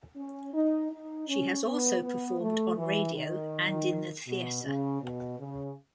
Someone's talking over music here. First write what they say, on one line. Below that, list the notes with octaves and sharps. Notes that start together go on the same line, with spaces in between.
She has also performed on radio and in the theatre.
C#4
D#4
D#4
C#4
B3
B3
A3
E3
D#3
B2
C#3
B2
C#3